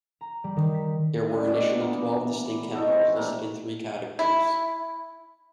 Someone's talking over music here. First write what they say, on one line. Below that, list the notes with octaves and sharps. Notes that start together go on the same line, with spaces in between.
There were initially twelve distinct chemicals listed in three categories.
A#5
G3
D#3
B6
D3 G3 C#4
B2 A3 D5
E3 A#3 B3
D#4 F#4 A4 D#5
E3 C4 C#6
G3 A3 A#3 D4
E4